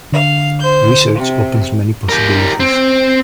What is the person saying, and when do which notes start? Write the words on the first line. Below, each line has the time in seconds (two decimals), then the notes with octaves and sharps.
Research opens many possibilities.
0.12 D3 F5
0.59 C5 G6
1.14 C3
2.09 G4 A#4
2.60 C4